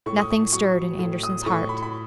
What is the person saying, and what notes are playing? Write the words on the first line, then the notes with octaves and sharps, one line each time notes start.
Nothing stirred in Andersen's heart.
A2 C#6
D#6
C#6
F#3 C#6
A2
D#6
A2 C#6
B5
B5